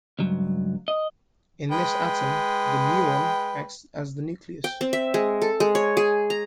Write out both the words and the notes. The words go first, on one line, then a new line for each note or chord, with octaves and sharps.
In this atom, the muon acts as the nucleus.
C#2 G2 F#3
D#5
G#3 B4 G5
G5
C4
E5
G#3
A4
G#3
C#5
G#4
A#5